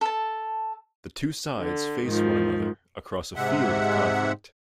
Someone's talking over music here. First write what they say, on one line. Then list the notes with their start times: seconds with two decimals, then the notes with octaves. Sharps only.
The two sides face one another across a field of conflict.
0.01 A4 A5
1.57 D3
2.04 G#2 D#3 F3
3.36 G#2 C3 G#3 E5 F#5